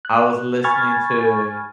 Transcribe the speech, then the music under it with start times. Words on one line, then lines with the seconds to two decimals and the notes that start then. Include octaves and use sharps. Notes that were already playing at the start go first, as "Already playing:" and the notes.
I was listening to
0.05 F#6
0.64 G#5 B5 C#6 F6 G#6 A6